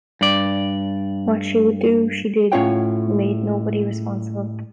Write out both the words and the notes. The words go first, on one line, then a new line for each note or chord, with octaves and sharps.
What she would do she did, and made nobody responsible.
G2 D5
A2 C#4 F4 C#5 F#5 G5